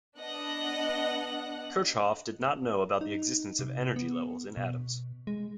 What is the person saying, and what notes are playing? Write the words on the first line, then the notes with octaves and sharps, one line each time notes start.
Kirchhoff did not know about the existence of energy levels in atoms.
B3 D4 D#5 F#5 F#6
D#4
C3
B3
B2
G#3